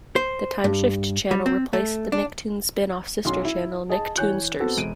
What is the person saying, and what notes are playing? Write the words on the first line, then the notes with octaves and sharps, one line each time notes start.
The timeshift channel replaced the Nicktoons spin off sister channel Nicktoonsters.
C5
G2
G3
C4
A3
D4
B1 F#3 C#4 C6
E4
G#4 D#5 A5
E3 C#5 G#5 F#6 G6
B3 C4 F#4 A4
E1 D7 D#7